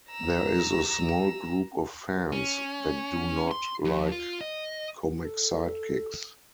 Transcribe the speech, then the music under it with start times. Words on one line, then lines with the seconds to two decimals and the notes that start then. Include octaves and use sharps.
There is a small group of fans that do not like comic sidekicks.
0.11 A#5 E6
2.33 C#4
3.51 C6
3.85 F2
4.12 F4
4.41 D#5
5.24 A4